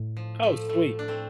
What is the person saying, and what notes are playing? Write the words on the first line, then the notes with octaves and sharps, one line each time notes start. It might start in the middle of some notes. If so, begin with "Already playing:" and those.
Oh, sweet.
Already playing: A2
F3
F3 A3
F3 A3
D4
A3 C4